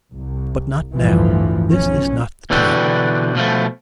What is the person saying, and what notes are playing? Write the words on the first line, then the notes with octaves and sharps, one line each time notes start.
But not now, this is not the time.'
C2
A1 D2 G2 E3 F3
B1 E3 F3 C#4
B2 D3 E3 D4 F#4 G4
B2 F3 A3